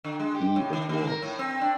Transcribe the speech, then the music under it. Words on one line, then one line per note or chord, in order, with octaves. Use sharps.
He it was.
D3
G#3
G4
A2
D#3
D#3
A#4
A2
C4
D4